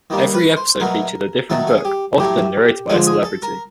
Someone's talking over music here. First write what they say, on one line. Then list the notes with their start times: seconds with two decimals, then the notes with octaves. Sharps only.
Every episode featured a different book, often narrated by a celebrity.
0.10 D#3 G3 A#3
0.34 B4
0.57 C5
0.80 B2 F#3 A3 A#4
1.50 D#3 F#3 A3 A4
1.67 G#4
1.85 G4
2.20 A2 F#3 A3 G4
2.89 D3 F3 G#3 G#4
3.07 G#4
3.24 A4
3.42 A#4